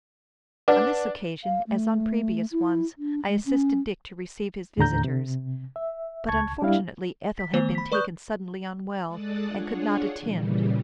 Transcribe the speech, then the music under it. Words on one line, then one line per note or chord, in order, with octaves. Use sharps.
On this occasion, as on previous ones, I assisted Dick to receive his visitors, but unfortunately Ethel had been taken suddenly unwell, and could not attend.
D4 B4 F#5
F5
A3
E4
D4
G#3
C#4
D#2 A2 D3 A#5 G6
C3
E5
C#2 A5 C#6 G#6
G3 D4 E4 F5
B6
D#3 A3 B3 C5
B5 B6
B4 D5 C#6 D#6 F#6 G6
G#3 A4 D5 D#6 F#6 A6
D4 F4 G#4 C#5 F#5
A#2 C#3 E3 G3